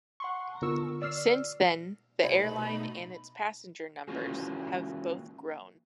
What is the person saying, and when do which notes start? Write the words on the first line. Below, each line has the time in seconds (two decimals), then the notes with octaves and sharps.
Since then, the airline and its passenger numbers have both grown.
0.20 F#5 C6 C#6
0.62 D3 B3 F4 A#4 C#6 E6
1.02 D5 E6 F6 C7
2.24 C2 B2 A3 D#4 B5
4.08 E3 A#3 C#4 F4 F#4 G#4